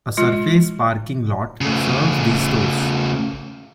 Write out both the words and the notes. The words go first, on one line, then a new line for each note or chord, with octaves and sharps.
A surface parking lot serves these stores.
G#3 F4
C#3 A3